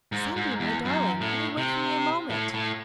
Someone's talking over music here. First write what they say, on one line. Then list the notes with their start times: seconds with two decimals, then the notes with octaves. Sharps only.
'Sunbeam, my darling--only wait for me a moment.'
0.12 G#2
0.36 G#2
0.60 E2
0.85 F#2
1.21 A2
1.57 C3
2.30 A2
2.54 A2